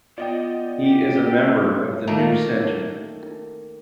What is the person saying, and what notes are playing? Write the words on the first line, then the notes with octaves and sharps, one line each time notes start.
He is a member of the New Centre.
B3 F4 D5 D#5 G5
G4
D#3 A3 A#3 A#4